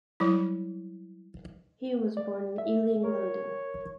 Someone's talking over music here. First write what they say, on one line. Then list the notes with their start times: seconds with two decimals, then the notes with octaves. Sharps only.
He was born in Ealing, London.
0.20 F#3 G3 E4
2.17 D5
2.58 E5
3.04 A#4 C#5